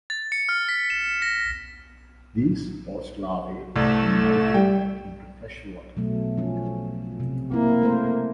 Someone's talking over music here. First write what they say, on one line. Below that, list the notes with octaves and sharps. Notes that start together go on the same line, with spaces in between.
These postlarvae then migrate back into fresh water.
A6
C#7
F6
B6
E7
A#6
C2 A3 E7
G3 G5
B2 F#3 A3
F3 C#4
C3
A#3 C4 E4
A3 A#4 C5